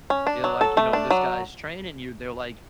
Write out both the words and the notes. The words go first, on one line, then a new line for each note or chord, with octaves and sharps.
they're like, "You know, this guy's training you." They're like,
C#4
D4
F#3
A4
A3
D4
F#3